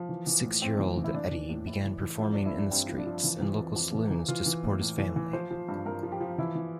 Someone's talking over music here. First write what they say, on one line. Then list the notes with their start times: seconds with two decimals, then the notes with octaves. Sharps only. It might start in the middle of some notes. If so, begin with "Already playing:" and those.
Six-year-old Eddie began performing in the streets and local saloons to support his family.
Already playing: F3
0.09 E3
0.27 E3
0.44 A2
0.62 A2 C4
0.79 E3
0.97 E3
1.04 E4
1.14 E3 D4
1.31 E3
1.49 A2
1.67 A2 E4
1.85 E3
2.01 E3
2.19 F3 E4
2.32 D4
2.36 F3
2.46 E4
2.54 G2 D4
2.71 G2 C4
2.89 F3
2.98 D4
3.07 F3
3.24 E3
3.41 E3
3.58 F2
3.76 F2
3.93 E3
4.11 E3
4.28 E3 F4
4.46 E3
4.64 A2
4.81 A2
4.98 E3
5.16 E3
5.33 F3 C5
5.51 F3
5.69 G2
5.86 G2 A#4
6.03 F3
6.12 G4
6.20 F3
6.38 E3 E4
6.55 E3